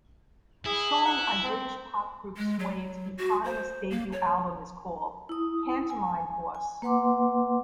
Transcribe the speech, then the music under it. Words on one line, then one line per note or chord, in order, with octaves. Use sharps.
A song on British pop group Suede's eponymous debut album is called "Pantomime Horse".
E4 G#4
F#5
C4
G#3
F#3
F#4
C5
A#3
C#5
E4 D#6
G#5
G#5
A#3 B4 F#5 C6 D6